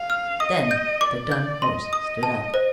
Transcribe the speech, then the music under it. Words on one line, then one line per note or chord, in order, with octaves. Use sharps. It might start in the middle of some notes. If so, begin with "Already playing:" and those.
Then the dun horse stood up.
Already playing: F5
F6
D#5 D#6
G6
D5 D6
G6
D#5 C6
D#6
A5
C5